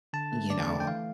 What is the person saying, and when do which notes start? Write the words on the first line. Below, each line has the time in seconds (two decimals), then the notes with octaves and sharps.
you know,
0.13 D3 A5
0.32 A3
0.50 D3 D5
0.69 A3
0.80 G5
0.87 E3 F5